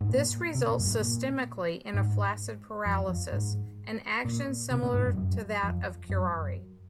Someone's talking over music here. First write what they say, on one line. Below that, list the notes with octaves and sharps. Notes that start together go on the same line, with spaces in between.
This results, systemically, in a flaccid paralysis, an action similar to that of curare.
G#2
A#2
C3
A#2
F#2
G#2
A#2
G#2
F2
F2
G#2
A#2
C3
A#2
G#2
F#2
F#2
F2
F#2
F#2